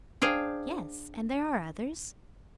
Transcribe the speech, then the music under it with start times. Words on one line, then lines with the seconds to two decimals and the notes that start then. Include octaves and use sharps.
"Yes, and there are others."
0.22 D4 G#4 C5 F5 G5